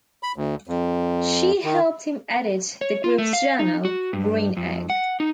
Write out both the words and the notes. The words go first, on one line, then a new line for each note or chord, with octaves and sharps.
She helped him edit the group's journal, "Green Egg".
B5
D2
F2
D#3
C#5
F4
A3
F5
D#4
F#4
G2
F2
F#5
D#4